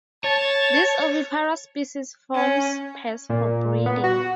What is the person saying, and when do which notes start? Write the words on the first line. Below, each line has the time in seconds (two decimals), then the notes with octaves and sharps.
This oviparous species forms pairs for breeding.
0.24 C#5 A5
2.35 C#4
3.29 A#2
3.86 B3
4.04 F#4